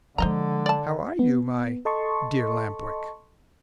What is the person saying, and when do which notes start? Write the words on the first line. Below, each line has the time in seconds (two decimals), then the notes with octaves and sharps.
"How are you, my dear Lamp-Wick?"
0.18 D3 F3 G#3 C5 D#5 A#5
0.66 D5 A5
1.19 B3
1.85 A4 D#5 A5 C6 C#6